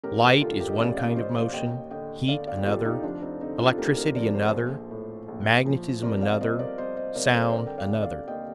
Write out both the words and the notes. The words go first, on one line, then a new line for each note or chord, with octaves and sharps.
Light is one kind of motion, heat another, electricity another, magnetism another, sound another.
A1 G4 A#4
G4 A#4
D3 F4 A4
G4 A#4
D#5
A1 D5 F5
D5 F5
A1 C5 D#5
D5 F5
D#2 D#5 G5
D3 D#5 G5
D3 D5 F5
D5 F5
G4
F1 F4 A4
A4
D#4 G4
F3 D4 F4
C4 D#4
D3 C4 D#4
D4 F4
A4
D2 G4 A#4
G4 A#4
F3 A#4 D5
A4 C5
A#1
A2
A#1
F3
C3 A#4 D5
D5 F5
C2 C5 D#5
A#4 D5
C2 C5 D#5
C5 D#5
C2 A#4 D5
A#4
A4 C5
D3 A#4 D5
G5
D5 F5
D3
D5 F5
D#2 D#5 G5